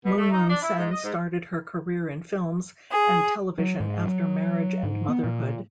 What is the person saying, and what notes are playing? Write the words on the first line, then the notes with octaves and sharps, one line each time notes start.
Moon Moon Sen started her career in films and television after marriage and motherhood.
B2
A3
D#4
D4
E4
G#2
D#5
G#2
G#4
F#3
G#2
F#3
G#2
B3
A#2